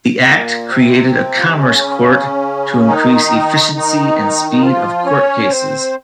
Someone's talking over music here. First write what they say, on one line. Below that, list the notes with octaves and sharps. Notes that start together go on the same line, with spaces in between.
The act created a commerce court to increase efficiency and speed of court cases.
A#2 A#3
C3 C4
F4
D#4
C#3 C#4
D#3 D#4
D#3 D#4
D#4
F3 F4
C#4 C#5
C4 C5